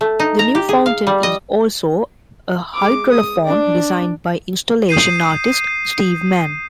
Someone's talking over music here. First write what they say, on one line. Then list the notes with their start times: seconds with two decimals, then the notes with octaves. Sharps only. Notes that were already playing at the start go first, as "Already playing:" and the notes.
The new fountain is also a hydraulophone designed by installation artist Steve Mann.
0.01 A3
0.20 D#4
0.39 A#5
0.55 G4
0.69 G#4
0.86 F5
1.07 G3
1.23 D#5
2.75 G#3 D6
3.10 D#6
3.45 D4 D5
4.89 D#6 G6 C7 D#7